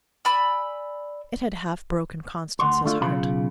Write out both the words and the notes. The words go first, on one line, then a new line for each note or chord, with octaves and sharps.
It had half broken Constance's heart.
D5 G#5 B5 E6
D2 F#5 C6
D3 A3 F4
B1 C#3 F4 B5